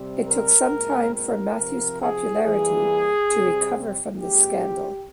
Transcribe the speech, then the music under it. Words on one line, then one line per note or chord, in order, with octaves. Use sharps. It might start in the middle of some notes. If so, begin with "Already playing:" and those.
It took some time for Matthews' popularity to recover from this scandal.
Already playing: C3 G3 C4
A#4
A#2 G#3 C4
A#4
C3 F3 C4
G#4
E3 G3 A#3 G#4
C3 G3 C4
G4
A#2 G#3 C4 G4